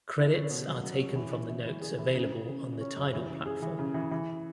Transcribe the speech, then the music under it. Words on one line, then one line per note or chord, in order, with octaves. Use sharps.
Credits are taken from the notes available on the Tidal platform.
E4
C#4
B2
F#3
F#3
C#4
E3
E3
E3
E3
G#4
E3
C#3
C#3
C#3
C#3
C#4
F#2
E3
C#3
G#4
E3
C#3
E3
E3